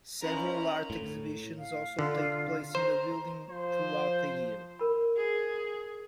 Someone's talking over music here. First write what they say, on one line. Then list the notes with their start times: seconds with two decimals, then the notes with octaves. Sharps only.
Several art exhibitions also take place in the building throughout the year.
0.22 C#4 E4 F4 A#4 B4 D#5 A#5
0.90 A2
1.58 F5
1.99 D3 F4
2.75 C5 A#5
3.50 F3 C5
4.79 A#4 B5
5.17 G#4